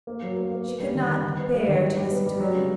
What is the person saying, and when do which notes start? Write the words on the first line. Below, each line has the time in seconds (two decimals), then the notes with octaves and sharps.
She could not bear to listen to him.
0.07 A#3
0.22 F#3
0.36 A#3
0.51 A#3
0.66 B3
0.80 G3
0.95 D#3
1.09 D#3
1.23 D#3
1.39 B3
1.53 G3
1.68 D#3
1.82 G3
1.97 G3
2.11 B3
2.26 G3
2.40 F#3
2.54 C#3